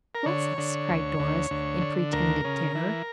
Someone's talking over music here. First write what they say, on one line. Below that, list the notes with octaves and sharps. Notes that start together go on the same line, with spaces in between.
"Bless us!" cried Doris, in pretended terror.
A#4
D3 C#5
D3
D2
D2
D2
D3
D2 A#4
C#3
E3